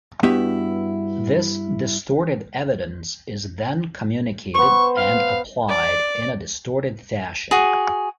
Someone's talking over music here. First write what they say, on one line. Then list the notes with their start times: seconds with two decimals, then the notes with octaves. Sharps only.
This distorted evidence is then communicated and applied in a distorted fashion.
0.23 G2 B3 E4 F#4 G4 E5
4.54 B3 C5 C#6
4.97 F5
5.69 D5
7.51 F#4 G#4